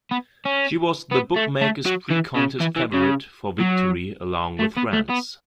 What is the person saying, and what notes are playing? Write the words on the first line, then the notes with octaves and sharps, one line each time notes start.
She was the bookmakers' pre-contest favorite for victory along with France.
B3
C#4
B3
A3
A3
F#3
E3
C#3
E3
E3
C#3
F#3
A3
B3
A3
B3